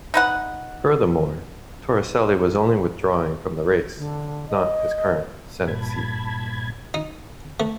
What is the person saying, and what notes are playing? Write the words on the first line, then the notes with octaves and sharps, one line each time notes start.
Furthermore, Torricelli was only withdrawing from the race, not his current Senate seat.
D#4 B4 F#5
D3
D#5
G2 A#2 A5 B5 G#6
D#4
A3